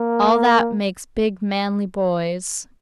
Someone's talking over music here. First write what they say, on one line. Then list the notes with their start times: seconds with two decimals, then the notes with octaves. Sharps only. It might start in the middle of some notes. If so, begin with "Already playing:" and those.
All that makes big, manly boys.
Already playing: A#3